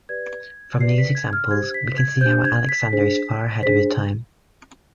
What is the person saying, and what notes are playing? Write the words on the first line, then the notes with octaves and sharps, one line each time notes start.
From these examples, we can see how Alexander is far ahead of his time.
G4 B4 D5 G#6
G4 B4 D5 C7
B6
G#6
F6
D4 G4 C5 G#6
B6
G#6
D4 G4 C5 G6
G#6
B6
D4 G#4 C5
D4 G#4 C5 B6